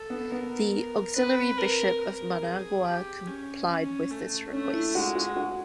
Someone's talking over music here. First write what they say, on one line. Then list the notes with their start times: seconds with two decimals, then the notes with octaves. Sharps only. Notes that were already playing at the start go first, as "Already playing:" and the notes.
The auxiliary Bishop of Managua complied with this request.
Already playing: A4
0.10 B3
0.31 B3 A#4
1.15 C4 B4
1.58 A#4
2.00 A#4
2.42 G#4
2.85 G4
3.27 C#4
3.68 C#4
4.11 A3
4.53 A3 C#4
4.73 E4
4.95 G#3 F#4
5.15 F#4
5.36 F#4